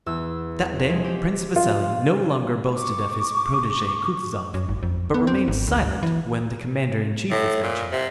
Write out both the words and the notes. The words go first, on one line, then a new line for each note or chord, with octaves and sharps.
That day Prince Vasili no longer boasted of his protege Kutuzov, but remained silent when the commander-in-chief was mentioned.
E2 E6
F3 G#3
G4
F4
C#6 D6
F#2
G#1
F2
B3
C4
G#1
D2
E3
A2
A#2
C3